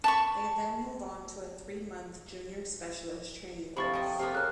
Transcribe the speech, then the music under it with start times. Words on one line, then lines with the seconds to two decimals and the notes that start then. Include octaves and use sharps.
They then move on to a three-month "Junior Specialist" training course.
0.04 A5 B5 C#6
3.77 C3 F3 B5 C#6 A6
3.93 A4 D#5 G5
4.19 C3 A#3 B3 F4
4.35 C#3 F6 F#6